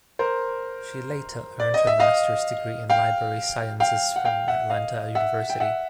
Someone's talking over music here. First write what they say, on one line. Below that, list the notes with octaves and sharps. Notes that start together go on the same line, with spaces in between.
She later earned her master's degree in library sciences from Atlanta University.
A#4 C5
D5
D#5
E5
D#5 F5
F5 G5
F5 G5
F#5
F5 G5
E5 F#5
D#5 F5
E5 F#5
G5
E5 F#5